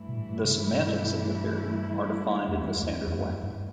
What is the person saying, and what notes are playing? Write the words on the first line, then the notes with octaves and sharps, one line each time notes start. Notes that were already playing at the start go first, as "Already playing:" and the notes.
The semantics of the theory are defined in the standard way.
Already playing: G2 E3 A3 E4
B2
A2
C3
C3
B2
F#2
E2
E2
E2
F#2
G2